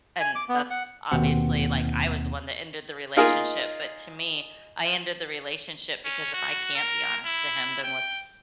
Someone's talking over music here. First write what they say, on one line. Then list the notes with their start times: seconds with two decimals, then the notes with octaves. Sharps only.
and that's obviously, like I was the one that ended the relationship, but to me, I ended the relationship because if I can't be honest to him, then what's
0.20 G#5
0.35 D6
0.49 B3
0.70 F#5
1.11 D#2 B2 C4 F#5
3.16 D#4 F4 G#4 A#4 D#5
6.04 C#4
6.34 F#4
6.75 A#4
7.26 E4
7.83 G5